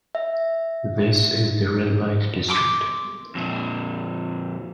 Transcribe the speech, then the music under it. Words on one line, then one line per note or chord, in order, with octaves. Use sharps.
This is the red light district.
E5
C6 D6 E6
F2 A#2